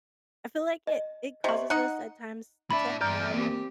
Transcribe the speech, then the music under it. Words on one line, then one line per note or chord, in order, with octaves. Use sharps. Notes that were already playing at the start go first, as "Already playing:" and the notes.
I feel like it it causes us at times to have,
D#5
C3 D#5 C#6
D#4 F#5
A2 D4 E5 B5
E2 G2 D5 G5 A#5 F6 G6
A#3 C4 G4